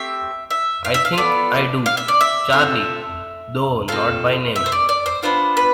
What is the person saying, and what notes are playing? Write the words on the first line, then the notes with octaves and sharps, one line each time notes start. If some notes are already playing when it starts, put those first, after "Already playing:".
I think I do, Charley, though not by name.
Already playing: A3 C4 G4 E5
E5
F5
E5
F5
B3 F4 A4 D5
F5
E5
D5
E5
C4 F4 A4
C4 F4 A4 F5
E5
C5
D5
D5
C5
B3 D4 F4 C5
B4